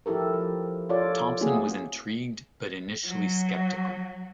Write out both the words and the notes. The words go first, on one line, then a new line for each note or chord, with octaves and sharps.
Thomson was intrigued but initially skeptical.
F3 E4 G4 A4 A#4
F3
F4 A4 C#5 D5
A3 A#3 C4 E4 F#4 G#4
F#3